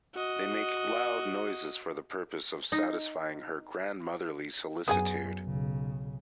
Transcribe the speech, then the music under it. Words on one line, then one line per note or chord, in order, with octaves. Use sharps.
They make loud noises for the purpose of satisfying her grandmotherly solicitude.
F#4 D#5
D#4
F#2 B3 G#4 G#5
B1 C#3